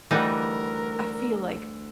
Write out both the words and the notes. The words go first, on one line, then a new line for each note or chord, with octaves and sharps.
I feel like
D2 E3 G3 D#4 A#4 F#5